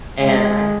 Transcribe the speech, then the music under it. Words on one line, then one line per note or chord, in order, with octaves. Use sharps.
and I
G#3